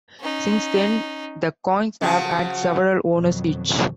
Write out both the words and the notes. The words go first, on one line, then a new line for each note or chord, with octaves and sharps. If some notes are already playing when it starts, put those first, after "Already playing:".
Since then, the coins have had several owners each.
C#4 D#4
C#3 F3 F#3
F2 B2 D#3 F#3